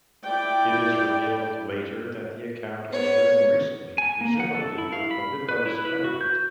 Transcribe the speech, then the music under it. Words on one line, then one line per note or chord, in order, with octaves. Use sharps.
It is revealed later that the account was written recently, presumably for Phillipa's benefit.
E4 D5 G5
B3 C#5
G#5
A#3
F#5
A4
E4
F5
B5
B4
E4
B4
F#4
G6